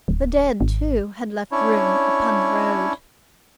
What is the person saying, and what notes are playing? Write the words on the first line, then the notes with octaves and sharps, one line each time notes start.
The dead, too, had left room upon the road.
D1
G#1
C#4 D4 E4 C#5